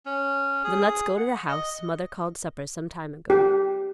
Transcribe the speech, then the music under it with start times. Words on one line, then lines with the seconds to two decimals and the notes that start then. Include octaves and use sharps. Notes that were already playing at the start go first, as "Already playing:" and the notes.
"Then let's go to the house; Mother called supper some time ago."
0.06 C#4
0.64 G#4
1.17 F#5
1.48 D#5
3.30 G4